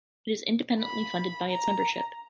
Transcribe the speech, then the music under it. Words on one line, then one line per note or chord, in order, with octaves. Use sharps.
It is independently funded by its membership.
B5
A#5